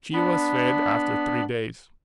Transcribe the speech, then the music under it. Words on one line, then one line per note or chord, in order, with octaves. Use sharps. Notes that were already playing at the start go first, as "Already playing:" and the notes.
She was fed after three days.
B3 D4 B5